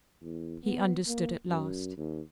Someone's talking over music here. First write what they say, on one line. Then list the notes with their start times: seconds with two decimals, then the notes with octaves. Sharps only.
He understood at last.
0.22 E2
0.64 B3
1.07 A#3
1.48 F#2
1.97 D#2